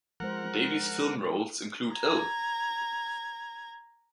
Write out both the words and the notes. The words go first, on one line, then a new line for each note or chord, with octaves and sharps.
Davies' film roles include Oh!
F3 G#3 A#4 C5 F#5
A#5 G#6